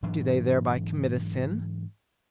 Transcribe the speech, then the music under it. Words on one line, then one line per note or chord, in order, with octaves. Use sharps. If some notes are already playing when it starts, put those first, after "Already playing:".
Do they thereby commit a sin?
G#2 E3 F#3 D4